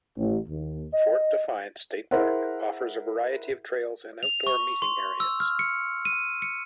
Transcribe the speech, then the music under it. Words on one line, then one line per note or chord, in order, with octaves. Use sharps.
Fort Defiance State Park offers a variety of trails and outdoor meeting areas.
A1
D#2
D#5
E4 G#4 A#4 C5 E5 F#5
F7
C#6
C6
E6
F6
C#7
D#7
C#7